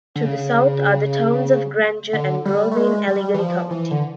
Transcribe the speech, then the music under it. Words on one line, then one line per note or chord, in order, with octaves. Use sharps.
To the south are the towns of Granger and Grove in Allegany County.
D3
C#3
D3
G3
A3
G#3
G3
E3
F3
E3
D3